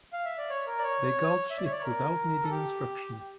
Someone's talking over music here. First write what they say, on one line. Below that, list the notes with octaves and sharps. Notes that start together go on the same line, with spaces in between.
They guard sheep without needing instruction.
F5
E5
D5
C#5
A#4
D5
C#5
E5
D5
C#5
D5
C#5
A#4
A4
G4